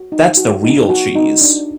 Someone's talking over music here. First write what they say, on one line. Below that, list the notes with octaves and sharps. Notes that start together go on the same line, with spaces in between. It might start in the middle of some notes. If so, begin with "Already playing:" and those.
That's the real cheese.
Already playing: F#4
D#4
F#4
D#4
F#4
D#4
D4